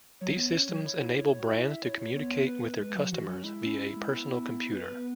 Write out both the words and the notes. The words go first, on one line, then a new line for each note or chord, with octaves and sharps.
These systems enable brands to communicate with their customers via a personal computer.
F#3 C#5
B3
C#4
F#3
E4
F#4
E4 E5
E5
C#5
C#5
B3 C#5
B4
G#3 B4
G#3
F#3
E3 F#4
F#3 C#4
G#3 E4
C#4
G#3
B3
B4